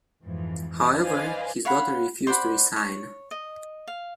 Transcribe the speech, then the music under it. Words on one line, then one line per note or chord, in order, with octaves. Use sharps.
However, his daughter refused to resign.
F2 G#2 E3 F3
B4 C5 D5 D#5 F5 G#5
C#5 F5 F#5 B5
C5 D5 F#5 B5
C#5
D#5
F5